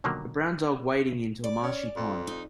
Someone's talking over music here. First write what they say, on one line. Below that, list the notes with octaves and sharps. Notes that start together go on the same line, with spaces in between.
A brown dog wading into a marshy pond.
B2 D3 D#3 F#3 G3 A#3
D5
C#4
F2
D#4